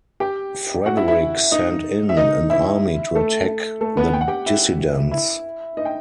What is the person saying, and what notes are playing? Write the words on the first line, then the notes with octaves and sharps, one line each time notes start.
Frederick sent in an army to attack the dissidents.
G4 G5
F#4 F#5
E4 E5
E4 E5
D#4 D#5
E5
D#4 D#5
E4 E5
A3 A4
A3 A4
B3 B4
G5
F#5
G4 G5
E4 E5
E4 E5
D#4 D#5
G5